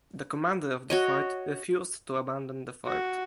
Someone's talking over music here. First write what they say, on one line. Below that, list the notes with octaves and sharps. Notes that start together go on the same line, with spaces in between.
The commander of the fort refused to abandon the fort.
F#4 C#5 D#5
F#4